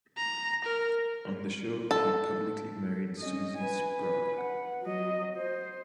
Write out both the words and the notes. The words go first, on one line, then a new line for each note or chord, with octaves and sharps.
On the show, he publicly married Susie Sprague.
A#5
A#4
A4
C#4 D#5
B4 G#5
B4
F#5
F#3 D#5
C5